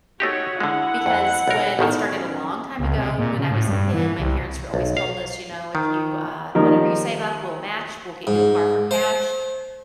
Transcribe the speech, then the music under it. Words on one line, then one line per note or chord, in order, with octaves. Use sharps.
because whe it started a long time ago when I was a kid, my parents were always told us, you know, "If you, uh whatever you save up we'll match, we'll get you a car for cash."
A3 D#4 F#4 G4 C#5
D3 G#3 E4 F#5
F2
B1 A#4
A1 B2 D#3
F#3 C#4
C#2
C3
A#2
C#3
A2
G2
E3
C2
B1
F5
D#3
D#3 F3 G3 A#3 D#4
G#2
C5